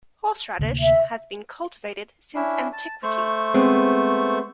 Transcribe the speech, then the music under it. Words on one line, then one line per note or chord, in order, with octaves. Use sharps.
Horseradish has been cultivated since antiquity.
D2 C3 A#3
E5
C#4 D4 E4
A5
A3 C5 C#6
G#3 B3 C4